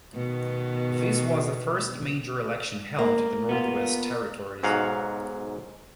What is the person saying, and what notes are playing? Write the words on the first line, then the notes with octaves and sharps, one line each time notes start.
This was the first major election held in the Northwest Territories.
B2 D#3 B3
A#3
B3 F4
B1 G#2 F#3 F5 F#5